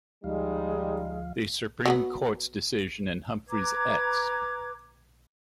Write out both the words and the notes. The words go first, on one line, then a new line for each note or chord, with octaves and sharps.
The Supreme Court's decision in Humphrey's Ex.
D2 F3 G3 G#3 D#4 F5
F#3 A3 B3
B4 A#5 D6 G#6